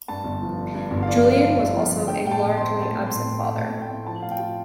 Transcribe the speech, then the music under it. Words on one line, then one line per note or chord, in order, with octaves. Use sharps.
Julian was also a largely absent father.
G2 A5
G1
F3
D3
G2
G1
F5
F3 D5
D3
F5
G2
G1
F3
D3
A3 G5
A2 G5
A5
A2
C4 C6
A3
A5
A2
A2 C6
C4
A3
A2 A5
A2
G5
C4
F3 A5
A2 F5
G5
F4